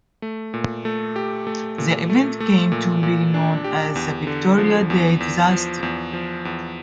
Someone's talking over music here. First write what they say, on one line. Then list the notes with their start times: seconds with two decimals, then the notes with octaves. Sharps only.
The event came to be known as the "Victoria Day disaster".
0.22 A3
0.54 A#2
0.85 A3
1.16 G4
1.47 A3
1.78 A#2
2.10 A3
2.40 A3
2.72 A#2
3.03 A#2
3.34 D4
3.64 G4
3.95 E2
4.27 D3
4.58 F3
4.90 E2
5.20 E2
5.51 F3
5.83 E2
6.13 F3
6.45 E2